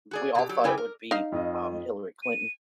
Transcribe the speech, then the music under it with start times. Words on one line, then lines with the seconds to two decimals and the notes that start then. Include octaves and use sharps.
we all thought it would be, um, Hillary Clinton.
0.11 F#4 G#4 D5
0.35 B2 G4
0.49 F#3 G4
0.64 F#2 C#3 E4 G4 G5 G#5
0.78 A#4
1.11 D#4 F5
1.32 F2 F4 D#5
2.23 D#7